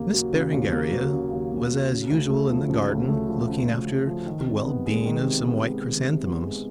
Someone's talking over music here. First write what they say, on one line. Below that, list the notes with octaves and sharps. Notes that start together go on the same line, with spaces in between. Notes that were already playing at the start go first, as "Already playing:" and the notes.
Miss Berengaria was as usual in the garden looking after the well-being of some white chrysanthemums.
Already playing: D#2 C#3 A#3
F#3
C#3
D#2
A#3
F#3
C#3
D#2
A#3
F#3
C#3
D2
A3
F3
C#3
D2
A3
F3
C#3
D2
A3
F3
D#3
C3
B3
G#3
D#3
C3
B3
G#3
D#3
C3
B3
G#3